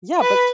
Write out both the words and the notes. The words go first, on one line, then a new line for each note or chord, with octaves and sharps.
Yeah, but
B4